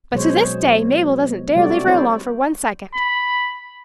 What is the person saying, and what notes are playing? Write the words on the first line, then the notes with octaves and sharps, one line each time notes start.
But to this day Mabel doesn't dare leave her alone for one second.
B2 F#3 G#3 C5 C#5
C3 G3 A3 F#4 D5
C4 E4 C5 C#5
B5